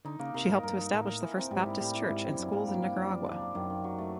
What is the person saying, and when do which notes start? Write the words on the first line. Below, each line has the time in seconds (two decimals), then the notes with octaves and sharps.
She helped to establish the first Baptist church and schools in Nicaragua.
0.05 D3 D#4
0.19 C#3 A#3
0.34 C3 A#4
0.49 G#2 D#4
0.63 G2 A#4
0.78 D#4
0.93 A2 D#4
1.07 A#4
1.22 E3
1.36 C4
1.51 G#2 G3
1.66 E4
1.80 A2 G3
1.95 E4
2.09 G#2 E4
2.24 C4
2.33 G2
2.38 F#2 D4
2.53 G#2 A#3
2.67 G2 A#3
2.82 G2 A#3
2.96 F#2 D4
3.12 D4
3.26 D4
3.41 A#3
3.55 F#2 D#3
3.70 D#3
3.84 F#3
3.98 A3